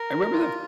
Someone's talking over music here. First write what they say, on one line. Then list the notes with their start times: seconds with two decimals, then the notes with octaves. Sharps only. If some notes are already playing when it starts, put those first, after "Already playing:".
I remember the
Already playing: A#4
0.33 F4